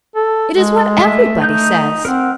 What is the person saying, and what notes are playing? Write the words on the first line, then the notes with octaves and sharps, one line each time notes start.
It is what everybody says.
A4
G#3
A3 E5
A3 D#4 G6
C4 A#4 F#5